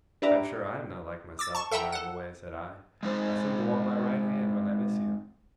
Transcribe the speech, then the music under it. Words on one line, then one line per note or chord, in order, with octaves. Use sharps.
'I am sure I am not like myself when I am away,' said I. 'I seem to want my right hand, when I miss you.
D4 G4 B4 E5 A#5 D6
D6 E6 A6
A5 C#6
A4 E5 F#5 G5 A#5
A4 F#5
G#3 C4 D#4 C5